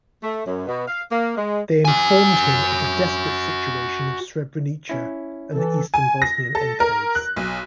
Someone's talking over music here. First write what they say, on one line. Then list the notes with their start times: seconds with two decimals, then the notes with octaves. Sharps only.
They informed him of the desperate situation of Srebrenica and the eastern Bosnian enclaves.
0.23 A3
0.45 F#2
0.66 B2
0.87 F5
1.11 A#3
1.37 G#3
1.85 F#4 G#5
4.89 C#4 E4
5.52 E3 A4
5.94 G#5
6.22 A#6
6.55 A4
6.80 A#4
7.15 F#6
7.37 B1